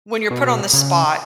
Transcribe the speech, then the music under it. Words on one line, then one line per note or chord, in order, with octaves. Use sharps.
When you're put on the spot
B2
C#3